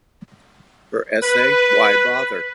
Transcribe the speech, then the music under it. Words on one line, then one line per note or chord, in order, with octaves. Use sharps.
Her essay Why Bother?
B4